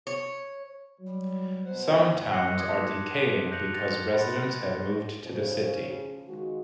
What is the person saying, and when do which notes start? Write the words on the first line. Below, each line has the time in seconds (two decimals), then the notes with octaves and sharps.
Some towns are decaying because residents have moved to the city.
0.07 C#5
1.00 F#3 G3
1.65 B2 C5 F#5
2.30 E6 F#6 A#6 C7 C#7
2.57 C6 D6 D#6 G#6
2.69 A5 C6 G#6 A#6
3.51 F#6 G6 A#6 C#7 F7 F#7
3.74 C6 A6 A#6 F7
4.13 B5 C6 A6
5.24 C#3 F3
6.27 D#3 G#3 F#4